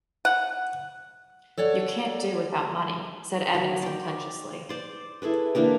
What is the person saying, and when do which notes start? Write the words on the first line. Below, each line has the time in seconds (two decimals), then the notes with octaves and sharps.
"You can't do without money," said Evan sententiously.
0.25 F#5
1.58 A4 C#5 D5 F#5
3.55 F#3
3.82 D5 G5
4.69 C5 D5 C6
5.22 E4 G#4 A4 B4
5.55 E3 A#3 D4 G4